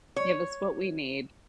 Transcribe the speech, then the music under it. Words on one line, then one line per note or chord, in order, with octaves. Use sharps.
give us what we need.
C#5